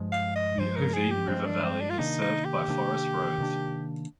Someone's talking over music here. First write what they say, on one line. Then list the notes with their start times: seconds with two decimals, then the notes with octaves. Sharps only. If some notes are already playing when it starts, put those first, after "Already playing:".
The Ovide river valley is served by forest roads.
Already playing: G2 F3 G#3
0.12 F5
0.35 D#5
0.58 G2 F3 G#3 C5
0.76 A#4
0.93 G#4
1.11 G4
1.28 G2 F3 G#3 C4
1.46 D4
1.64 C4
1.81 D4
1.90 F4
1.98 C3 D#3 A#3 D4 D#4
2.22 D#4
2.45 G4
2.68 C3 D#3 A#3 D4
3.38 C3 D#3 A#3 D4